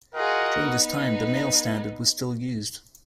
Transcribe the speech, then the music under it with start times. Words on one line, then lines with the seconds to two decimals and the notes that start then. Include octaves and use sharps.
During this time, the mail standard was still used.
0.15 F4 F#4 G#4 A#4 D#5 F#5
0.60 B3 D#4